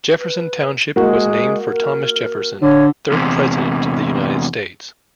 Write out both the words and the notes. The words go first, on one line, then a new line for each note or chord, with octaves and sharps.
Jefferson Township was named for Thomas Jefferson, third President of the United States.
B4
G#3 A#3 F#4
A#4
D3 C#5
E2 C3